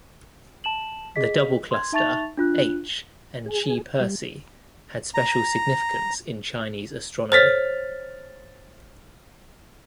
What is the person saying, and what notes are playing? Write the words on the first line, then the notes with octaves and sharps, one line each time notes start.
The Double Cluster, h and Chi Persei, had special significance in Chinese astronomy.
A5 E7 F#7
G#4 D#5 B6
C6 G#6
D#4 E5 A5 C#6 A6 F7
D4 F4 F#6
G#4
G3
A#5
C5 C#5 F6 A6 B6